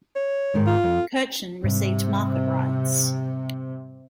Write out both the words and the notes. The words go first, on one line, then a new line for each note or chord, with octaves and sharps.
Kirchhain received market-rights.
C#5
G#2 D#3 G#3
F4
F2
G#2 C3 G3